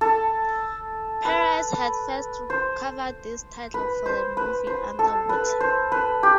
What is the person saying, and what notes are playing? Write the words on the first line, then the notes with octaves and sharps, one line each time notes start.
Perez had first covered this title for the movie Underwater!
A4
B4
C5
B4
C5
B4
C5
A4
B4
C5
B4
G4